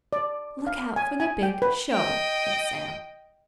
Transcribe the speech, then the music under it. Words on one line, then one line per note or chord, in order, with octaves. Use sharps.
"Look out for the big show," read Sam.
D5
F5
G#5
G#5
G5
B4
D#5 G5